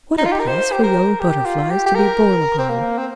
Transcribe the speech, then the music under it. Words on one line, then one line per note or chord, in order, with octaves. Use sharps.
What a place for young Butterflies to be born upon!
D#4
F4
G4
A#4
C5
G4
A#4
G4
F4
G4
G4
A#4
C4
A#3
C4